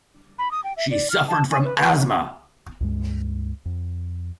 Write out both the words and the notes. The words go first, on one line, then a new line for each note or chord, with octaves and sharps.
She suffered from asthma.
B5
D#6
G5
E5
D5
F6
A5
G#5
B4
B4
C#2 G2 G#3
F2